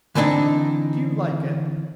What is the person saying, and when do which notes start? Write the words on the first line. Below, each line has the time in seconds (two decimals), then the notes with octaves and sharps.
"Do you like it?"
0.15 D3 E3 C4 D4 D#4